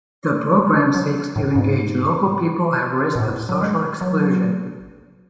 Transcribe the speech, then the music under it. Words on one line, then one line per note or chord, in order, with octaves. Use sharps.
The programme seeks to engage local people at risk of social exclusion.
G#3
F#3
A2
G#2
B2
A2
F#3
G#3
F#3